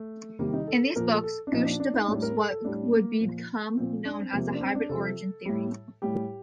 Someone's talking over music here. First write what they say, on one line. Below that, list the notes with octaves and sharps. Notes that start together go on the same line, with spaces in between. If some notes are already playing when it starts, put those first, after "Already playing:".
In these books, Gooch develops what would become known as the "hybrid-origin theory".
Already playing: A3
C3 D#3 G3 A#3
D#4
A4
A4
A#2 F3 A#4
A4
A4
D4
A#2 F3 D#4
D4
D4
D#4
A2 G3 D4
A#4
A4
A4
A2 G3 D4
A#3
A#2 F3
A#2 F3 C4
D4
C4
C3 F3 A#3
A#3
D4
C4
D4
C3 F3 A4
A2 G3
A2 G3 G4